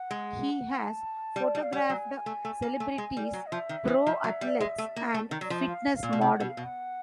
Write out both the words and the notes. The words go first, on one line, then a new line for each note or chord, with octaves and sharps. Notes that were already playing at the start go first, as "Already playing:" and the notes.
He has photographed celebrities, pro athletes and fitness model.
Already playing: F#5
G#3
A5
G3
G3
F5
G3 F#5
G5
F#3 G#5
A3
A3
A#3
A3
G#3
G3
F#3
D#5
F3 E5
D#3
E3
F3
F#3
G3
G#3
A3
A#3
A3
D#3
F#3
D5
F3 D#5
E5
F5
F5
A#2
B2
C3 G5
B2 F#5
F5
B2
F#5